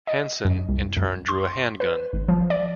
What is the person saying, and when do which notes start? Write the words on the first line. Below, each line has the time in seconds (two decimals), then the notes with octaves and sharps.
Hanson in turn drew a handgun.
0.07 D#5
0.45 F#2
0.69 C2
0.97 F#2
1.29 C6
1.80 B4
2.13 G#1
2.28 F3
2.50 D5